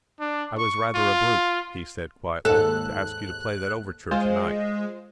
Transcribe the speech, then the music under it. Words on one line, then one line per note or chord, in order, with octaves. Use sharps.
"I was rather a brute," he said quietly, "to ask you to play that overture to-night."
D4
C#6
F4
D#2 G#2 A4 F#6
G#3 F4 C5